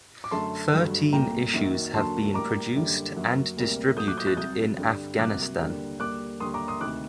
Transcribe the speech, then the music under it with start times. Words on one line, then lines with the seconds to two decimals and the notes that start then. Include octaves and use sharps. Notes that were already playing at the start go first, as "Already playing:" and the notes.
Thirteen issues have been produced and distributed in Afghanistan.
0.24 D6
0.31 F#2 D3 A3 A5 C6
0.72 G2 F#3 A3
1.13 C2 A#2 A3 G5 A#5
1.53 F#2 D#3 F#3 A#3
1.94 D#2 D3 F#3 A#3 A5 C6
2.34 A2 G3 A#3 A#5 D6
2.75 F#2 D3 G3 A#3
3.15 F#2 F#3 A#3
3.57 D2 C3 G3 A#3
3.97 A#2 F#3 A3 D#6 G6
4.08 D6 F#6
4.18 D#6 G6
4.27 F#6 A6
4.37 C2 C3 F#3 D#6 G6
4.78 G2 D3 G3
5.18 C2 C3 F#3 A#3 D6 F#6
5.60 D#2 D3 G3 A#3
5.99 D#2 D3 G3 A#3 D6 F#6
6.40 D#2 D3 G3 A#3 C6 D#6
6.54 A#5 D6
6.68 C6 D#6
6.81 D2 C3 D#3 D6 F#6